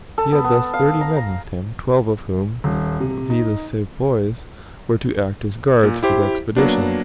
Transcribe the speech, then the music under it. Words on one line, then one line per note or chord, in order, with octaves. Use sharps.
He had thus thirty men with him, twelve of whom, viz., the Sepoys, were to act as guards for the Expedition.
A4
B3
B3
F5
A#5
A#5
D#1
C3
D#4
A#2
E4 G4 C5
F#3 A#3 B3 D4